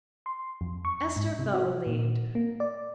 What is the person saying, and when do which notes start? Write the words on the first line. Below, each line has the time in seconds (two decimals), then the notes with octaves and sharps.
Esther felt relieved.
0.26 C6
0.61 F2
0.85 C#6
1.16 G#2
1.39 C3
1.54 F#4
1.87 A#2
2.35 A#3
2.60 D5